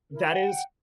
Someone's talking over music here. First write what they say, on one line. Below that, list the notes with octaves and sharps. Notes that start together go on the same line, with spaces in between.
that is
E4 A#4
F#5 G5